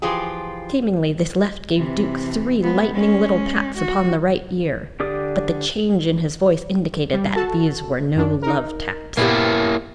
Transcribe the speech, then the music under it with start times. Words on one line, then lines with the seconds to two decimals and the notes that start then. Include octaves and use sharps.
Seemingly this left gave Duke three lightning little pats upon the right ear, but the change in his voice indicated that these were no love-taps.
0.02 E3 F3 F4 G4 G#4
1.75 C3 E3
2.60 G#3 B3
2.91 G#3 C#4
3.77 F#4
5.00 D3 G4 D5 D#6
7.13 G3
7.36 F#4 A4 A5
8.16 F#2 D4
8.42 D#4 A#4
9.17 A#2 A#3 B3 E4 G4